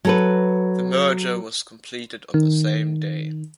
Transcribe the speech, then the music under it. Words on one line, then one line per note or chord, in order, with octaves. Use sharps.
The merger was completed on that same day.
F#3 A4 B4
D#3